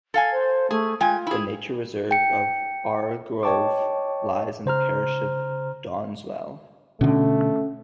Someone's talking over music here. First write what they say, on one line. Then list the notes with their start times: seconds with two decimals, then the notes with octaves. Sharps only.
The nature reserve of Arle Grove lies in the parish of Dowdeswell.
0.14 A4 F5 G#5
0.32 C5
0.71 A3 G#4
1.01 G#3 F4 G5 G#5
1.27 E4 G#4
2.11 G5 C#7
3.43 C#5 D#5 G5 A5 C#6 D6
4.66 C#3 C5 A#5 F6
7.01 B2 D3 A3 C#4